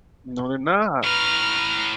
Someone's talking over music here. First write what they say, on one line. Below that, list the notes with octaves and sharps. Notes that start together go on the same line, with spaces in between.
No, they're not.
A2 B4 A#5 F6